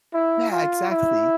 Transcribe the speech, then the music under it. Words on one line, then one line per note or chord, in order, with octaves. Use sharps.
Yeah, exactly.
E4
F4
E4